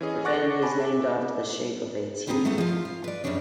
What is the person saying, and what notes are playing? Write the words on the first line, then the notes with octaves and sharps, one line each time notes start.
The family is named after the shape of their teeth.
E3 C#4 G#4 D#5
F#5 C#6 D6 F#6 A6 A#6
G#5 A5 B5 D6
E5
A2 B3 C4 E4 G#4 A#5
A3 A4 B4 C5 F#5
F3 F4
F5
B4 D5
F#2 C#3 G3 C4 D4 C#5